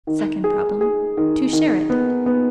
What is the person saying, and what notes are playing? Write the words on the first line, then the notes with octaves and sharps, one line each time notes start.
Second problem: To share it.
D#3
G#4
G#4
D#3
D#3
B3
B3